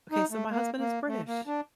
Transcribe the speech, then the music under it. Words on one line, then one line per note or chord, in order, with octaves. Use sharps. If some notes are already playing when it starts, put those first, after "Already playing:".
Okay, so my husband is British,
D#4
A3
A#3
A#3
A3
A#3
D4